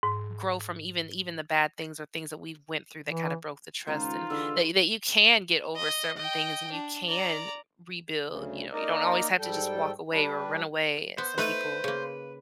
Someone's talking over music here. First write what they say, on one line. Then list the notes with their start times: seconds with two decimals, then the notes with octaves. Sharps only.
grow from even even the bad things or things that we've went through that kind of broke the trust and that that you can get over certain things and you can rebuild. You know, you don't always have to just walk away or run away. Yeah, some people,
0.03 G#2
3.06 E3
3.87 C#2 D#3 D#4 F4 C5
4.30 D3 E3 G#3 E6
5.76 D#5
6.17 D#5 G5
6.72 D4
7.09 D5 A#5
8.27 D2 C#3
8.73 A#3 D#4 A#4 D5 D#5
9.39 G#2 G3 A4 G5
10.11 G3 D4 B4
11.18 B3 C5
11.38 A3 D#4 B4
11.84 C#3 A#3